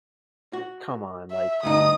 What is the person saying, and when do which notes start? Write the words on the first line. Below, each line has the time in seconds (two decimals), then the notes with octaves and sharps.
come on, like
0.53 F#4
1.31 E5
1.63 D2 G2 D#4 D#6